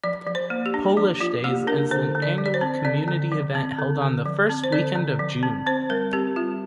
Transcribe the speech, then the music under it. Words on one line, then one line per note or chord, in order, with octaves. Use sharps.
"Polish Days" is an annual community event held on the first weekend of June.
F3 D5
F3
C5
A#3
G4
D4
F3
F3 F4
A#3 G4
D4 A#4
D3 C5
D3
D5
F3
D5
C5
C4
D3 D5
D3
F3
C4
D3
D3
F3
C4
C5
D3 D5
D3
F3
C4
C4 C5
G3 A#4
C4 G4
G3 F4